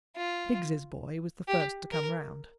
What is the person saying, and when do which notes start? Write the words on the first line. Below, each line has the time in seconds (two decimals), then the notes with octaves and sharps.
Biggs's boy was the first to come round.
0.17 F4
1.48 G4
1.92 A#4